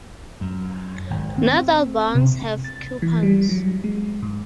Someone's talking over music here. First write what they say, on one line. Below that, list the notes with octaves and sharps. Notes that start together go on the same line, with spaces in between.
Not all bonds have coupons.
F#2
G#1
C4
C3
A6
E3
G3
F#3
G#3
G#2